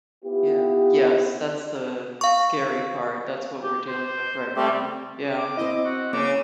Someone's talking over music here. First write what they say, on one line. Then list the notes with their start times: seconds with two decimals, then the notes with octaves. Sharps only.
Yeah. Yes, that's the scary part, that's what we're dealing with right now. Yeah.
0.25 B3 E4 F4 G4
2.21 F5 C#6
3.63 G4
3.88 C5
4.56 G3 A3 C4 G4
5.38 D6
5.57 C4 E4 D#5
5.84 F#4
6.13 C#3 A#3 C#4 D6